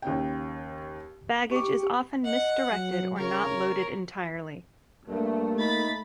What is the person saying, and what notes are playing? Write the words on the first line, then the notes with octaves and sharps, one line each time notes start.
Baggage is often misdirected or not loaded entirely.
D#2 C#3 G5
G4 C#6 D6
D#5 F#5
F#3
C#3 A#4 C#5
G2 A3 A#3
D#4 B5 A6